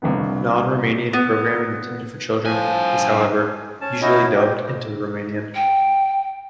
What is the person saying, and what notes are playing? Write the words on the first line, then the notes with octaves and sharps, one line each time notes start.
Non-Romanian programming intended for children, is however, usually dubbed into Romanian.
C2 F2 D3 B3
B3
G2 F3 G#5
C#4 A5
C#4 D#4 E4 F#4 D#5
G4
G5